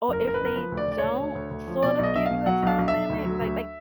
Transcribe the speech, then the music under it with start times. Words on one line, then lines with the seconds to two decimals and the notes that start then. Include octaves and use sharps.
or if they don't sort of give you a time limit, like like
0.08 F#1 A#4
0.24 F#1 A#4
0.34 B4
0.41 F#1 A#4
0.56 F3 B4
0.72 D2
0.77 D5
0.88 D2 D5
0.98 C#5
1.04 D2
1.19 D2
1.35 D2
1.51 D2
1.68 F3
1.83 B2 D5
1.99 B1 D#5
2.15 B1 E5
2.26 B2 F5
2.46 F#3 F#5
2.63 B1 F5
2.79 B1
2.88 E5
2.94 B1
3.10 D2
3.25 F#3
3.41 D2